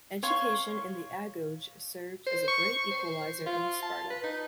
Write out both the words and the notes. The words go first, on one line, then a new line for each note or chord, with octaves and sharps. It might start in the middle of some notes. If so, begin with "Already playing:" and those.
Education in the "agoge" served as a great equalizer in Sparta.
C#5 F5 C6 C#6
C5
C#6
C5
F4
A5
B4
D#4